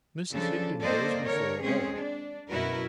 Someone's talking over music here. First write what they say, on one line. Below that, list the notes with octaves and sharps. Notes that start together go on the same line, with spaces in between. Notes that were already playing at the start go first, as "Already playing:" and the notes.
Mrs Higden goes before all.
C#3 F3 D4 A4
A#3 C4 A4 C5 D5 D#5
D3 A#4 C#5
G#3 C4 C#4 G#4
D4
F#2 B2 E4 F#4 A#4 B4